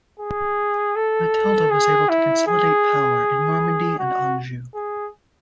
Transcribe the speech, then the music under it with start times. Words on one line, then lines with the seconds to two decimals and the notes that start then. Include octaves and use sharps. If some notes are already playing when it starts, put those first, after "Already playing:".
Matilda was able to consolidate power in Normandy and Anjou.
0.20 G#4
0.96 A4
1.71 G#4
2.09 E4
2.47 G#4
3.99 F#4
4.75 G#4